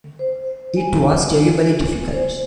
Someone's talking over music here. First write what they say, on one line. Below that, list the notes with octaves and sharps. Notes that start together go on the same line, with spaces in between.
It was terribly difficult.
C5
G#5
C5